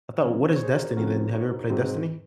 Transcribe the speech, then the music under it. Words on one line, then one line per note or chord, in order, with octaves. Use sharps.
I thought what is Destiny then? Have you ever played Destiny?
C#3 F3 C4 A#4 C#5
C5
C#5
G#4 C5
F#4 A#4
C#3 F3 C4 F#4 A#4
D#4 F#4
G#2 F#3 C4 D#4
D#3